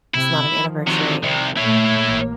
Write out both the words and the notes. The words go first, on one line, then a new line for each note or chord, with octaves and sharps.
it's not an anniversary,"
C3 E4
D#3 F3
C3 F#3
C2 C3
A#2 A3 E4 C#5
A1 A#3